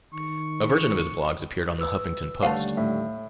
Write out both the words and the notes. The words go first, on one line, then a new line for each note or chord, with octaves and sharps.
A version of his blogs appeared on "The Huffington Post".
D#3 C#6
B4 E6
D#2 D3 G3 A3 C#5 F5 F#5 A5
A2 E5